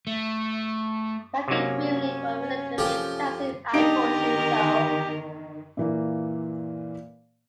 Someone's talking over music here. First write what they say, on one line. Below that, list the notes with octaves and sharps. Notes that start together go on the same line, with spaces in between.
Peggy grimly but reluctantly tells him I told you so.
A3
C3 F#3 A#3 C#4
F3 G4 A4
D#3 B3 D4 D#4 G4 A#4 D#5 D7
A#2 E3 A#3